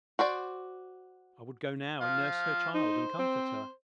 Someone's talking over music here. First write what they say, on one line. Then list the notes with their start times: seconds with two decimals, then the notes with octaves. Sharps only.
I would go now and nurse her child, and comfort her.
0.19 F#4 C5 D5
2.01 F3 F5
2.74 D#4 C5
3.19 C4